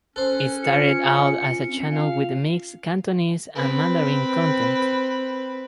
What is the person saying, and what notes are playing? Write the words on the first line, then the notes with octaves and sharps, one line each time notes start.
It started out as a channel with mixed Cantonese and Mandarin content.
C#4 A4 C5 F#6
F4 C#7
C4 C#4
F4 F5
C4 B4